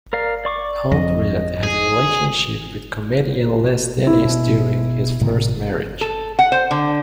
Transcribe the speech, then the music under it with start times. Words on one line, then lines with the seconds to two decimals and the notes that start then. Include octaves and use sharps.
Aldred had a relationship with comedian Les Dennis during his first marriage.
0.13 A#4 D5 F5
0.45 D5 C#6 D6
0.92 F2 D#5
1.63 G#4
4.07 E4
4.25 B2
5.21 A2 C3 D#3
6.01 A4
6.39 F#5
6.52 C5
6.71 D3